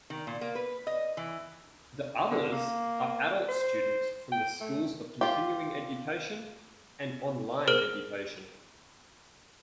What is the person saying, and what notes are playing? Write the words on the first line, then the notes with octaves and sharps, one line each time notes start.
The others are adult students from the schools of Continuing Education and Online Education.
D#3
A#2
A#3
B4
D#5
E3
D3
A#3
C5
G5
A3
F4 G4
G#4 A#4 C5 F6 D7 G7